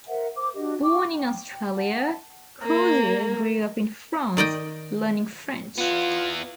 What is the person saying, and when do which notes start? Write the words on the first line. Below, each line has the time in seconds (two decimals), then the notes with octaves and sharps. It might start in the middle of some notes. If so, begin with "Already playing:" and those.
Born in Australia, Crozier grew up in France, learning French.
0.07 A#4 C5 E5 F#5
0.35 C5 D6
0.54 D4 F#4 G4 D#5
0.81 G5 C#6 D6
1.16 G5
1.75 F#5 A5
2.62 A#3
4.37 D#3 D5 D#5 G5
5.78 E3 B3 F4